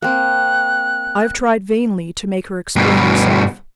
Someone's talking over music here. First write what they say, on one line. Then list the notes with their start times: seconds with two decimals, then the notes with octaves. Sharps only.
I have tried vainly to make her explain herself.
0.02 A#3 C4 F#6
2.76 G2 B2